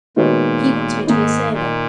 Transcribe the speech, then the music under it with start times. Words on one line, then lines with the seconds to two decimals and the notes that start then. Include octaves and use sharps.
"He wants me to be a sailor."
0.16 A#2 D#3 G#3 B3 F#4 C#5
1.07 G#2 D#3 A#3 D#4
1.53 A#2